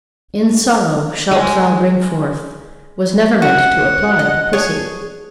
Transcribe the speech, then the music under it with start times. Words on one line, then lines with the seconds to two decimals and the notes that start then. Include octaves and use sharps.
"In sorrow shalt thou bring forth," was never meant to apply to pussy.
1.31 G#3
3.42 F#4 F#5
4.19 D#5
4.53 G#4 C#5